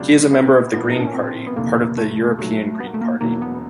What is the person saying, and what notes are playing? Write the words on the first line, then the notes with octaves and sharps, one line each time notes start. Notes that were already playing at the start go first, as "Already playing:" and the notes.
He is a member of the Green Party, part of the European Green Party.
Already playing: C#2 C#3 F#3 B3 D4
B3
A#1 A2 F3 A#3 B3
D#4
D4
C#4
C4
B3
F1 D#2 D3 A#3
A3
B1 A#2 F#3 A3
B3
A#3
A3
A#3
E1 E2 B2 F#3 A#3
B3